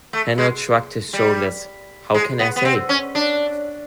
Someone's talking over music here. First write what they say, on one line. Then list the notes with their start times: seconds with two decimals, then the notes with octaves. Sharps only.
Hanaud shrugged his shoulders: "How can I say?"
0.13 A3
0.38 G#3
1.13 G3
2.14 G#3
2.39 B3
2.56 B3
2.65 C4
2.89 C#4
3.15 D4